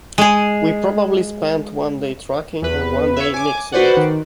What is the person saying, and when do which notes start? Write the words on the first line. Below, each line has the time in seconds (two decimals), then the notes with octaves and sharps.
We probably spent one day tracking and one day mixing it.
0.18 G#3 G#4
2.62 E2 B4
3.17 C#5 E5
3.34 G#5 D6
3.72 F#4 B4 C5 D5 F#5
3.97 D#3